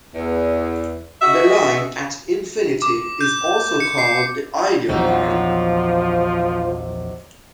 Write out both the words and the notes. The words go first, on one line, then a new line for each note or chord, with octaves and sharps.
The line at infinity is also called the ideal line.
E2
F#4 G#4 D#5 E5
D6
G6
C#7
C7
A#1 E2 C3 D#3 F3 F#3 D#4